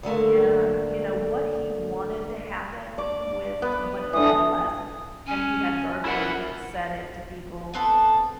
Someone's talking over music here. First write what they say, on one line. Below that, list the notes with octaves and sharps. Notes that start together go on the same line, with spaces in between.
and you know, what he wanted to happen with what he had left and he had verbally said it to people.
D2 D3 A3 A#3
D5 D6
B3
D3 E3 D#6
C#4 G#5
C#4 E4 A#4 F#5
B3 C4 A4